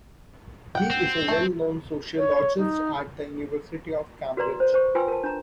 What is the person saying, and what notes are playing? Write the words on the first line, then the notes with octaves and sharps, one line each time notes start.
He is a well-known sociologist at the University of Cambridge.
F#5 G5
C4
A3 A5
C#5
D#4
F#4 A#4 B4 D5 A#5 C6
C5
C5 C#6
F4 B4 G5 G#5 C6 E6
A#4 A5
D4 A#5